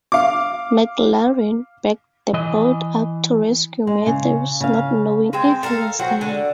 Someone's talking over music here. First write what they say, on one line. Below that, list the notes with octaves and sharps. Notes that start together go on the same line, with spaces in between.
MacLaren backed the boat up to rescue Matthews not knowing if he was alive.
F5 D6
E3 D#5
G#3
C#3
C#3 F5
G#3 C4
A4 A#4 C5 F5
F#3 C4 F#4
D3